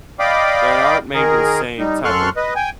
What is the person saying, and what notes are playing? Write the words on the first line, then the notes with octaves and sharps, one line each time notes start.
They aren't made with the same type of,
D5 D#5 F5 G5 B5 D6
D#3 G#4 A#4
G3 D#4
F#2 A4 C6 C#6 F6 F#6
B4 D#5
G5 G#5